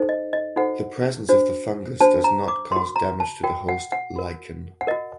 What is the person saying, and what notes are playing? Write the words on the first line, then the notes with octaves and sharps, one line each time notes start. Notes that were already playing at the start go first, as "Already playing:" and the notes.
The presence of the fungus does not cause damage to the host lichen.
Already playing: D#4 A4 C5
D#5
D#5
D#4 F#4 A4 C5 F#5
D4 F#4 C5
D4 F#4 C5 A5
A#5
D6
F#4 A#4 C6
A#5
A5
F#4 A#4 G5
F#5
F#5
F#4 A#4
F#5
F#4 A#4 D#5